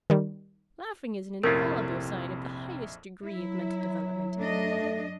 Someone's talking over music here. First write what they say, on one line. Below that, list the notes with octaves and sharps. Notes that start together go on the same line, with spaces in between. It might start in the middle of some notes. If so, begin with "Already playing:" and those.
Laughing is an infallible sign of the highest degree of mental development.
D#3 G3
A#1 F2 C3 A3 C#4 E4 F4 A#4
F#3 E4
F#2 A3 D4 D#5